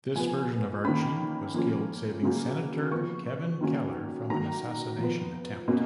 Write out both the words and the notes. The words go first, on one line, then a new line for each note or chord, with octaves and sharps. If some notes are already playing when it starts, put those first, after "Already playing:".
This version of Archie was killed saving Senator Kevin Keller from an assassination attempt.
F3 B3 G#5
D#3 A#3 C#4 B5
F3 A#3 C#4
C#3 F#3 A#3 C#4
F3 B3 C#6
D#3 F#3 A#3 C#4
D#3 F#3 A#3 A#5
F3 B3
B2 A#3 C#4